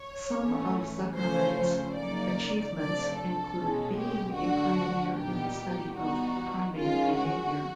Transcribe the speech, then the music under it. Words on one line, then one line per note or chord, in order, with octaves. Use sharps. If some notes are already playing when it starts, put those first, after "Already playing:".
Some of Zuckerman's achievements include being a pioneer in the study of primate behaviour.
Already playing: C#5
A2 E3 A3 C#4
C#3 F3 A3 C#4 C5
C5
C#3 F#3 A#3 D#4 D5
C3 F3 A3 D4 D5
A4
B2 G#3 C#4
G4
D3 F#3 A3 D4 F#4
A#2 G3 B3 D#4 G4
E3 G3 B3 D#4 F#4
D#3 G#3 C#4 F4
F#4